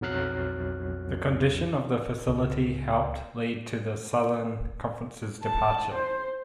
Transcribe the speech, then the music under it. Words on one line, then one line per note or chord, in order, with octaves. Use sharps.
The condition of the facility helped lead to the Southern Conference's departure.
B1 F2 F#3 F6 F#6 C7
C#2
A5
C5